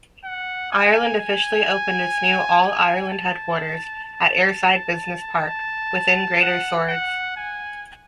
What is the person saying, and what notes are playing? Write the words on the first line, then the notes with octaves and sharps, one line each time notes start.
Ireland officially opened its new all-Ireland headquarters at Airside Business Park, within greater Swords.
F#5
G#5
G#5
G#5
A5
A5
A5
F#5
F#5
G#5